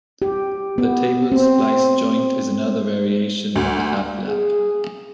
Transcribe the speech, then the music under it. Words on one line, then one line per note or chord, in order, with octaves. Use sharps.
The tabled splice joint is another variation of the half lap.
G4
B3
C4
D2
G#4